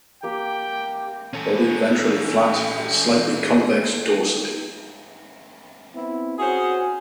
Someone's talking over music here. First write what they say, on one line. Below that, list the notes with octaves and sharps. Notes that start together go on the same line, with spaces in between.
Body ventrally flat and slightly convex dorsally.
A#3 G4 G5
C#4 A4
B3 C4 E4
C#4 F#4 G#4 C5